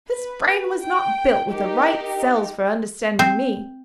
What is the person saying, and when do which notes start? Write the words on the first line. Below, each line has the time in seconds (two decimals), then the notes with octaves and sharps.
His brain was not built with the right cells for understanding me.
0.11 B4
0.82 G5
1.50 D#4 G4 A#4
3.19 C4